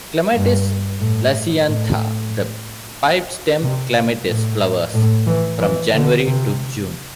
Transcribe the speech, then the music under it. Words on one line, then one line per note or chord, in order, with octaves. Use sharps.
"Clematis lasiantha", the pipestem clematis, flowers from January to June.
G2
A2
A2
C3
A2
A2
E3
E3
D3
C3